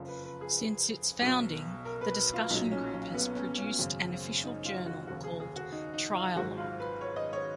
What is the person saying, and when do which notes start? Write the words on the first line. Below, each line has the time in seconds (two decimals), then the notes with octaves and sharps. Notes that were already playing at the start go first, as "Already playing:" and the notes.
Since its founding, the discussion group has produced an official journal called "Trialogue".
Already playing: F#1 F2 F3
0.08 B4
0.24 B4
0.41 G#4
1.21 B1 B2 F#3
1.85 A#4
2.01 B4
2.33 F4
2.50 B1 A#2 F#3 D#4
2.71 C#4
2.93 C#4
3.14 B3
3.36 C#4
3.57 C#4
3.79 G#1 F#2 C#3
4.44 D#4
4.65 F4
4.86 F#4
5.07 F1 D#2 C#3 F#4
5.24 G#4
5.40 G#4
5.56 F#4
5.72 D#4
5.94 D#4
6.15 F4
6.36 G#1 G#2 F#3 F#4
6.57 F4
6.80 B4
7.01 C#5
7.16 D#5
7.33 C#5